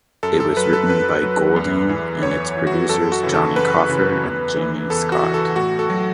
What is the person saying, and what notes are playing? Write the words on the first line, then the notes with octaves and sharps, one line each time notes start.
It was written by Goulding and its producers Jonny Coffer and Jamie Scott.
F#2 A4
A4
F#3 B4
A4
F#2 B4
F#3
E2
E3
E2 C#5
E3
F#4
F#2 A4
F#4
C#3 E3
A4
F#2 B4
C#3 E3
E2
E3
E2 A4
F#4
E3
A4
A2 F#4
A4
F#3